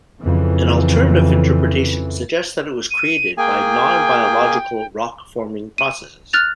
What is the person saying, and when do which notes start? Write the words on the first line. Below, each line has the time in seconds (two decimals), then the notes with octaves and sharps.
An alternative interpretation suggests that it was created by non-biological rock-forming processes.
0.21 F2 C#3 E3
2.91 D#7
3.38 A#3 G#4 G5 G#5
5.78 D#7
6.33 F6 F#6 A6 F7